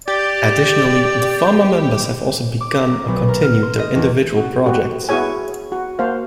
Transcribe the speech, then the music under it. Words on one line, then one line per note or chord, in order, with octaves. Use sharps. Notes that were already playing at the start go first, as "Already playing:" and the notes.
Additionally, the former members have also begun or continued their individual projects.
G4 D5
D6
A#3
B1
A#4
F6
C6
D#5
E2
F#4
B3 F#4 G4
B3 E4 F#4 G#4 C#5 G#5
F#4
A#3 F#4 C5 F5